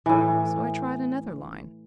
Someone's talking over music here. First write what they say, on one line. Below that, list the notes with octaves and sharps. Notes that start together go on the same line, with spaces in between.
So I tried another line.
A2 E3